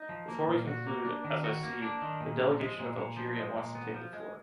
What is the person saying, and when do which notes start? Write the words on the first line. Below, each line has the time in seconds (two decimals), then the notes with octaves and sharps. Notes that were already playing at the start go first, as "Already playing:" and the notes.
Before we conclude, as I see, the delegation of Algeria wants to take the floor.
Already playing: D#4
0.09 F3
0.28 A#3
0.48 A#2
0.67 F#4
0.87 A#3
1.05 D4
1.25 D#3
1.44 F#4
1.63 A#3
1.82 D4
2.01 D#3
2.20 A#2
2.40 F3
2.59 G#3
2.79 A#2
2.97 A#2
3.17 F3
3.37 G#3
3.56 A#2
3.75 B3
3.94 F3
4.13 G#3